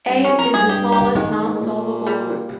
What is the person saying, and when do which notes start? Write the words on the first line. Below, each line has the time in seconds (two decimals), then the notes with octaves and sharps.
A is the smallest non-solvable group.
0.09 G2
0.23 F2 C#4
0.39 F2 A#4
0.54 G2 G#4
0.69 G4
0.92 G4
1.15 D#3 G#3
1.31 D#3
1.45 G#2
1.61 A#2
2.07 G3